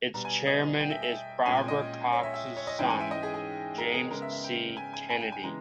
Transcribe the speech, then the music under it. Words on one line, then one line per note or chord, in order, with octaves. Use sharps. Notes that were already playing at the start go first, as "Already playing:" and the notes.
Its chairman is Barbara Cox's son, James C. Kennedy.
B2 G3 B3 A#5
G#5
D#5
G5
E5
E5
A#2 G#3 C#4 G#5
G5
D#5
C#5
E5
E5
C#5
D#5
G#2 E3 G#3 C#4 G5
G#5
E5
D#5
G#4
G#4
A#4
G#4
C#3 G#3 B3 A#4
E5
E5
G5
G#5
G#5
G#5
G5
G#5
C#3 E3 G#3 B3 A#5